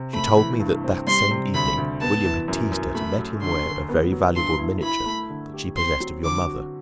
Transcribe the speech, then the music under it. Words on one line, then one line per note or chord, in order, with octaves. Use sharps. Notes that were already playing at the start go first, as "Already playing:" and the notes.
She told me, that that same evening William had teased her to let him wear a very valuable miniature that she possessed of your mother.
Already playing: C3
A3 B5
E3
G2
C4
G3 C6
C3
D2 B5
D2
B3 A5
E3
F#2
F#2
A3 B5
F#3
D3 C6
D3
B3
F#3
G2 C6
E4
E4 B5
A3
D3
G4
C4 C6
F#3
D3 D6
F#4